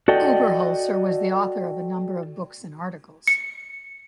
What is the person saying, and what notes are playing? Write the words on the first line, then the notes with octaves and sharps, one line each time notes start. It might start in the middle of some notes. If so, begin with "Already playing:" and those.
Oberholser was the author of a number of books and articles.
F#4 A4 D5 D#5 G5
C#7